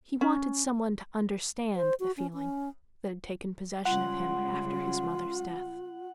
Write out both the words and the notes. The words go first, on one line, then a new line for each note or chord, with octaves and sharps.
He wanted someone to understand the feeling that had taken possession of him after his mother's death.
C#4
C5
F#4
C#4
C#4
C#3 G3 G#3 F4 F#5 C6